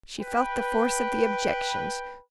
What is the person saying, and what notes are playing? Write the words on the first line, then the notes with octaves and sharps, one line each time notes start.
She felt the force of the objections.
B4 G5